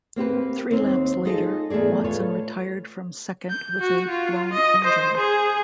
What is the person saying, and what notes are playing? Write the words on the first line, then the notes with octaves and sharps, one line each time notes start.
Three laps later, Watson retired from second with a blown engine.
A#3 C4 G4 B4
D#2 C4
D#4 F4 G#4 A4 D#5
E2 A3 E4 G#4 D5
F4 A4 B4 C#5
G6
F#4
F4
D#5
C5
G#4